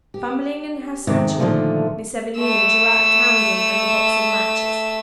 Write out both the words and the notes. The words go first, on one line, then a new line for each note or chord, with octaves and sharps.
Fumbling in her satchel, Miss Evelina drew out a candle and a box of matches.
G4
F2 G#2 C3 D#3
A#2 D3 D#3 F3 A3 A#3
A3 E6